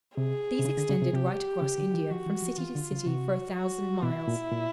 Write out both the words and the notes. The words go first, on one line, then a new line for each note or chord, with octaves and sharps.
These extended right across India, from city to city, for a thousand miles.
C3 G#4
C3
C#3
D3
C#3
C3
C3 G4
C#3
D3
E3
F3 F#4
E3
F3
E3 F4
D3
C#3
C3 F#4
F#4
B2 E4
A#2
A#2